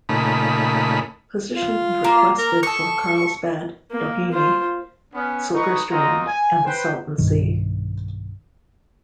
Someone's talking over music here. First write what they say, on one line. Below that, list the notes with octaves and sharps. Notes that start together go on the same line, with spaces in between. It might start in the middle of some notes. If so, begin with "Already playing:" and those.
Positions requested for Carlsbad, Doheny, Silver Strand and the Salton Sea.
A#2 C#3 A3 D#4 B5
F4
A#3
A#4
A4 C#6 D#6
A#3
F4 C5
B3 C#4
D#4 B4 C#6
C4 F4 F#4 A#4 D#5 A#5
G#5
B4 C5 G5
B1 G2 D#3